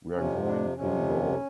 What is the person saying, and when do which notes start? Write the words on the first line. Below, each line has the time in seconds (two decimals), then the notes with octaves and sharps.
We are going to Lloar.
0.16 F2 C3 F3 C#4
0.46 D4
0.75 F2 C3 F3 C#4